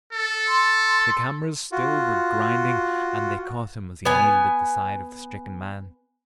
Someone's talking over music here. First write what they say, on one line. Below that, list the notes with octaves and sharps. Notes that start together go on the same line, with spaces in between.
The cameras still were grinding and they caught him as he kneeled at the side of the stricken man.
A4
C6
F4 F#4
B3 G#5